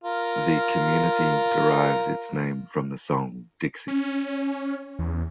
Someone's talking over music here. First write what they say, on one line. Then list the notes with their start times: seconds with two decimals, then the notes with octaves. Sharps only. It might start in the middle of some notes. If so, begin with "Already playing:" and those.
The community derives its name from the song "Dixie".
0.04 F4 A#4
3.88 C#4
4.99 E2